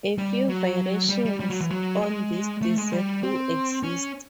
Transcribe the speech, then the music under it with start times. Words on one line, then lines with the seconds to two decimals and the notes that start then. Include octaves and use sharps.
A few variations on this dessert do exist.
0.18 G3
0.49 F#3
1.09 G3
1.25 G3
1.40 G3
1.50 F#3
1.60 E3
1.71 F#3
2.01 G#3
2.62 A3
2.77 G#3
2.92 G3
3.23 C4
3.83 C#4